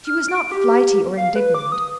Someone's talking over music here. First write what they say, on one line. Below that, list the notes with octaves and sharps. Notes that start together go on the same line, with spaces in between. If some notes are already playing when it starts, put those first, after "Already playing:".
She was not flighty or indignant.
F6
D7
G4
F5
B4
D6
D#6